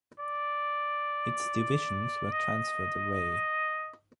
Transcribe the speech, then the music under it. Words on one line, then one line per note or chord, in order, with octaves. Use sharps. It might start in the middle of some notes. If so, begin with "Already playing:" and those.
Its divisions were transferred away.
D5
D#5